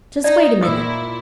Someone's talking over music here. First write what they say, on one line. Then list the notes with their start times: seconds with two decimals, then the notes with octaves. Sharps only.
"Just wait a minute."
0.24 D#4 D5
0.61 A#2 E4 C5 D#6 E6